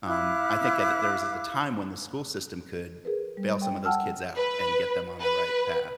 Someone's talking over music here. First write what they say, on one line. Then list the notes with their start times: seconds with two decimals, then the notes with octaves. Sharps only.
um, I think a there was a time when the school system could bail some of those kids out, and get them on the right path,
0.06 E4 F5 D6 F#6
3.05 G#4 A#4 B4
3.37 G3 B4
3.62 G5
3.85 F#5 G5 A5 E6 F6
4.36 B4
5.21 B4